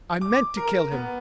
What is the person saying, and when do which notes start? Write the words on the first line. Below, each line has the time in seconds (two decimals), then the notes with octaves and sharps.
I meant to kill him.
0.21 D6
0.57 A#4
0.92 B3